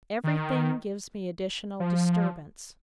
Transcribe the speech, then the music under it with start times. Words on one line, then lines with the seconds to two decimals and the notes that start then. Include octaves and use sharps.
'Every thing gives me additional disturbance.
0.24 D#3
1.80 F3